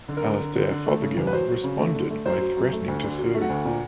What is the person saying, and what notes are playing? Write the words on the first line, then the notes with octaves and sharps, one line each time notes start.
Alastair Fothergill responded by threatening to sue.
D3
A#4
D3
D3
D3
D3
A3
C#3
E2
B4
F#3 C5
F#3
C#3
A3
D3
A3
F#2 C5
F#3
F#2
A3
D2
D3
F#3
A3
F#5
D2
A#2